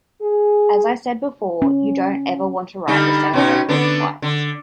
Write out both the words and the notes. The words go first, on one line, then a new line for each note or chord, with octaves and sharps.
As I said before, you don't ever want to write the same record twice.
G#4
C#4
D3 G3 D#4
B2 C#4 D#4
D3 B3 D4
D3